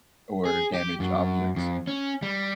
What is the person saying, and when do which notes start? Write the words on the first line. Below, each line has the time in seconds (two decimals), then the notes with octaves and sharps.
or damage objects.
0.45 G#4
0.74 G4
1.00 F#2
1.56 F2
1.87 C#4
2.22 G3